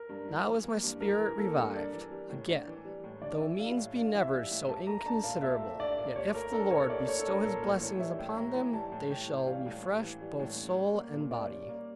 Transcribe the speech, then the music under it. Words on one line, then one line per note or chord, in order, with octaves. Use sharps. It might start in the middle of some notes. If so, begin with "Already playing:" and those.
Now is my spirit revived again; though means be never so inconsiderable, yet if the Lord bestow His blessing upon them, they shall refresh both soul and body.
Already playing: A#4
G2
E4
E3
A#3
G2
E4 A#4
E3
A#3 A4
G2
D4 A#4
E3
G3
A2
D4
E3
G3
A2
D4 D5
E3 E5
G3 F5
A2
D4 F5
E3
E5
G3
A2
G4 A5
A3 A#5
D4 A5
A#2 F5
G4 E5
A3
D4 D5
A#2
G4 C#5
A3 A#4
D4 A4
A#2 C#5
G4 D5
A3 C#5
A4
D4 A#4
A#2 A4
A2 A#4
E3 C#5
G3 E5
A2 G5
A2 A#5
E3
G3 A5
A2
A2 G5
E3
G3 F5
A2
A2
E3
G3
A2
C#4
G3
A#3
A#2
C#4 D5
G3
A#3